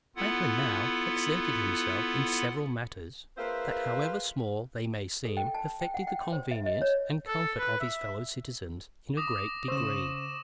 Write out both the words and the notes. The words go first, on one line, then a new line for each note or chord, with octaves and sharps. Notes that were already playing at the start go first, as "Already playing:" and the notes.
Franklin now exerted himself in several matters that, however small they may seem, affected the convenience and comfort of his fellow citizens in a great degree.
B3 E4 F4 A4 F#5
A#3 F4 G#4 B4 C5 E5
A4
G5
A5
G5
F#5
G5
C6
C5
E5
D#5
C#5
A4
B4
E5
D6 D#6 A#6
C#3 C5 C#6 E6 E7